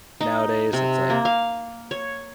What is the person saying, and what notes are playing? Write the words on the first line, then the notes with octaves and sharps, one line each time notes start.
nowadays it's like
D#4
C3
A#3
F5
C#5